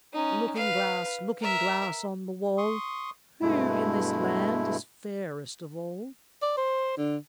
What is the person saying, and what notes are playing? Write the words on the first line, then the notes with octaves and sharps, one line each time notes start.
"Looking-glass, Looking-glass, on the wall, Who in this land is fairest of all?"
C#4 D#4
B4 F5
A#4 E5
C6 C#6 D#6
G2 B2 G#3 A3 E4
D5
C5
D3